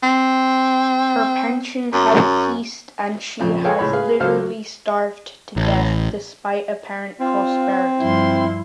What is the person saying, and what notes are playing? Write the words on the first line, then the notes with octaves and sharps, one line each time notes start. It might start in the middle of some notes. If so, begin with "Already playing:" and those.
Her pension has ceased and she has literally starved to death, despite apparent prosperity.
C4
F#2
F2 A#2 C#3
G#4 A4 B4 C#5 F5 G5
C#2 A2 G#3 C#5 B5
G#4 B4 F5
C#2 F#3 A4 C5 F5 F6
F#3
A1
C4 F4
G2 F3 E4 C6